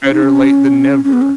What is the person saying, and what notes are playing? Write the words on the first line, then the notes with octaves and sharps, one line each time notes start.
Better late than never.
C#4
D#4
C#4
C#4
B3
C#4